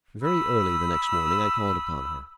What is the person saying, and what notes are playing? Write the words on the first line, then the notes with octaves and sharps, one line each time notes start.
Very early the next morning I called upon her.
B5 D#6 E6